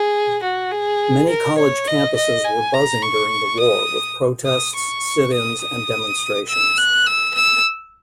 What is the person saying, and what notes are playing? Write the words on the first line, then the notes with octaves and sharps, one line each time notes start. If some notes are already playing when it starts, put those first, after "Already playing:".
Many college campuses were buzzing during the war with protests, sit-ins, and demonstrations.
Already playing: G#4
F#4
G#4
A#4
C#5
D#5
D#5
G#5
A#5
C#6
D#6
D#6
C#6
D#6
D#6
E6
F#6
E6
E6